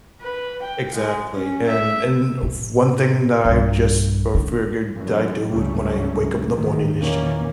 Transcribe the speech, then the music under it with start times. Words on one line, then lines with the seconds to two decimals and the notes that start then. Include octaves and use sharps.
Exactly, and and f one thing that I just o figured I do when I wake up in the morning is
0.22 B4
0.63 G5
0.95 G#3
1.30 C#4
1.68 E5
2.43 A2
3.45 B1 G2
4.35 D3
4.94 F#2 E3 F#3
5.49 C#2 G2 F#3 G3 A3 C#4
6.56 A1 A2 D#3 F#3
6.99 E2 A#2 D#3 E3 A#3 C#4